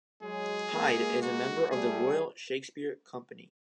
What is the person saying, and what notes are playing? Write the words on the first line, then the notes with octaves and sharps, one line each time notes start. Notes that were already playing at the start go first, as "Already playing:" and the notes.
Hyde is a member of the Royal Shakespeare Company.
F#3 G#3 G#4
G#3 A#3
F#4
G3 A3 G#4